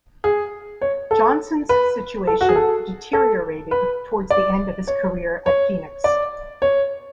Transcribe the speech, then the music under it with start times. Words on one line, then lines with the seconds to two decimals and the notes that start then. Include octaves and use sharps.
Johnson's situation deteriorated towards the end of his career at Phoenix.
0.24 G#4
0.81 C#5
1.11 A4
1.69 B4
2.27 A4
2.41 F#4
2.49 G#4
2.56 A4
3.13 A4
3.71 B4
4.30 D5
4.87 C#5
5.46 C#5
6.04 D5
6.62 C#5